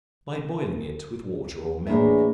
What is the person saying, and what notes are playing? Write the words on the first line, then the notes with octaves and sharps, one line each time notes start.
By boiling it with water or milk.
A2 E3 A#3 D4 G#4 E5